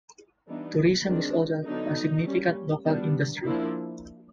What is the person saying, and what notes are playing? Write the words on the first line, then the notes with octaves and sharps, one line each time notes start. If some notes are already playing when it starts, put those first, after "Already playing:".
Tourism is also a significant local industry.
E3 G3 B3 D4 D#4
D#3 G#3 C4 D4
D3 F#3 B3 D4 D#4
G3 A#3 C#4
G3 B3 D4
F3 A#3 D4 E4